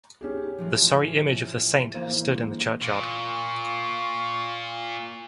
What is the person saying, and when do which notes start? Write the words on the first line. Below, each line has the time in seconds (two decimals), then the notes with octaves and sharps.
The sorry image of the saint stood in the churchyard.
0.21 C#4 G4 G#4
0.58 A2 E3 F3
1.94 E3 A#3 C5
2.33 D3 G#3
2.83 A#2 F4 C#6